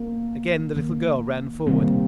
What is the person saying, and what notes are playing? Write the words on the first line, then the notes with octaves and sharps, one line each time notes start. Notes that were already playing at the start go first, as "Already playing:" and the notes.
Again the little girl ran forward.
Already playing: A#3
D#3 A#3
C3 D#3 G3 A#3 C4